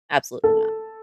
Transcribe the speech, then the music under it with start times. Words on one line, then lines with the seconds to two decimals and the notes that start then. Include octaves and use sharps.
Absolutely not.
0.44 A4